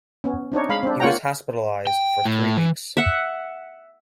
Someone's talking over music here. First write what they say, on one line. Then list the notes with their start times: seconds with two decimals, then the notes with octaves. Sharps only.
He was hospitalized for three weeks.
0.24 B3 C#4
0.52 C4 D4 D#4 C#5
0.69 G#3 F5 B5
0.83 C4 D4
1.00 A#3 F4 C#5 F#5 G5 A#5
1.87 G5
2.25 A2
2.57 E3
2.97 E5 F#5